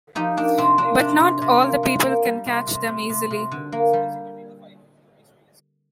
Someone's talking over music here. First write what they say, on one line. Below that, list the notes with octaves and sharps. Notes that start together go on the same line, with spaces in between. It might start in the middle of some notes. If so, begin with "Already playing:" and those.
But, not all the people can catch them easily.
F3 D#4 G4
A#3 D4
C3 C4
A#3 D4
C3 D4
C3
C3
A#3
C3
A#3
G3
C3
C3
C3
C3
C3
D3
A#3
G3